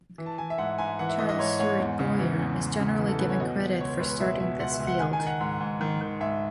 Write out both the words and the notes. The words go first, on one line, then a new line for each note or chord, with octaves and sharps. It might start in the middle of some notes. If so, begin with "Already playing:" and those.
Charles Stuart Bowyer is generally given credit for starting this field.
E3
A5
E3 G#5
E5
G#2 F#5
G#2 G#5
E3 F#5
E5
E3 D#5
D#5
G#2 C#5
G#2 C#5
E2
C#3
E3
E2
E2
C#3
E3
A4
E2 B4
C#5
B2 D#5
B2
C#2 C#5
C#2 B4
B2 E5
B2 E5
C#2 F#5
E5
C#2
F#5
D#3 G#5
G#5
D#3
F#5
G#2
G#2
D#3
D#3
G#2 E5